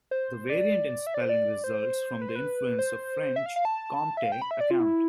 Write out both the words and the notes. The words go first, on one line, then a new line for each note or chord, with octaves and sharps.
The variant in spelling results from the influence of French "compte" "account".
C5
D5
E5
D5
C5
D5
C5
B4
C5
B4
C5
E5
F5
F5
A5
E5
F5
G5
B5
E5
D5
F4
E4